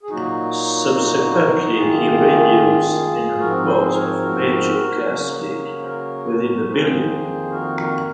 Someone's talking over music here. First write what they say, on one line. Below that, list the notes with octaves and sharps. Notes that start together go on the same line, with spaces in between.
Subsequently, he radios in a report of a major gas leak within the building.
G#4
A#2 F#3 A#3 D#4 F#4
F#2 D#3 A#3 F4 G#4
G#2 F3 C4 F#4 A#4
A#4
G#4 C5
A#4 C#5
F#4 A#4
C#3 F#3 A#3
C5
F#4 A#4
F2 D#3 A#3 G#4 C5
F#4 A#4
F#4 A#4